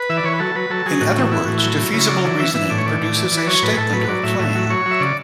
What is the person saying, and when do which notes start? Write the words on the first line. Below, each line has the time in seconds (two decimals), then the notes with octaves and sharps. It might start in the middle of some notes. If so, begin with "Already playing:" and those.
In other words defeasible reasoning produces a statement or claim.
Already playing: B4
0.09 E3 E5
0.17 D5
0.24 E3 C#5
0.33 B4
0.39 F#3 A4
0.55 F#3 B4
0.70 F#3 A4
0.86 F#3 G#4
1.01 A2 F#4
1.17 E3
1.31 E3 E4
1.45 A2 F#4
1.58 F#3 E4
1.78 F#3
1.93 C#3 E4
2.09 F#3 D5
2.24 E3 D5
2.40 E3 E5
2.54 E3 E5
2.70 A2 D5
2.78 C#5
2.86 E3 D5
3.01 A2
3.16 E3
3.31 E3
3.37 B4
3.47 F#3 C#5
3.62 A2 B4
3.73 G#4
3.77 A2 A4
3.93 F#3 B4
4.08 F#3 D5
4.23 A2 E5
4.39 A2 E5
4.55 F#3
4.70 F#3 C#5
4.85 F#3
4.91 E5
5.00 C#3 D5